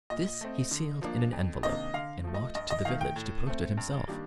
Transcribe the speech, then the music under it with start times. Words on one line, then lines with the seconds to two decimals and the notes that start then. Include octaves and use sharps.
This he sealed in an envelope, and walked to the village to post it himself.
0.10 A#2 D#5
0.41 A3 C4
0.71 D3
1.02 F3 A#3 D4
1.33 F2
1.63 C3 D#3 A#3 D4 D#5
1.94 D3 F5
2.24 F3 A3
2.34 D#5
2.55 G2 D#5
2.70 D#5
2.85 D#3 A3 F5
3.01 G5
3.16 A2
3.47 A3 C4
3.77 G2
4.08 D#3 G3 A#3 D4